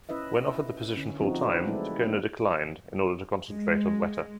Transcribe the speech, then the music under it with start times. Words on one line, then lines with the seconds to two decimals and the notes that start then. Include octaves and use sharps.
When offered the position full-time, Tokona declined in order to concentrate on Weta.
0.09 C#4 E4 B4 D#5 E5
0.97 D3 C#4
1.19 F3 C4 D#4 F#4
1.39 D4 B4
1.65 F#3 G#3 A3 E4 D5
2.03 A#3 D#4
3.48 G#3